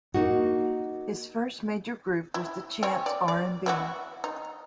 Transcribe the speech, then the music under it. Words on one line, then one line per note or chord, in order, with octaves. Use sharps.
His first major group was the Chants R and B.
A#3 D#4 F#4
E4
C4 C#4
D5
D5
E3 E4 F#4
D#4